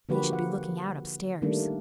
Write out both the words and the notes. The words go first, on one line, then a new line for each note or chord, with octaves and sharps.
"If they should be looking out upstairs!"
D3 F3 A#3 F#4 G4 B4
F#5
D#3 G3 A3 A#3 D4